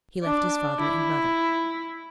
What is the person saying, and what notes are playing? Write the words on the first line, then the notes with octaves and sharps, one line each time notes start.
He left his father and mother.
D4
E4